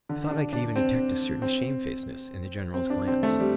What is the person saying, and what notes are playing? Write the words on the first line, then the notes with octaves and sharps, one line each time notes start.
I thought I could even detect a certain shamefacedness in the General's glance.
D3
D4
D4
C4
C4
C4
D4
C4
A3
G3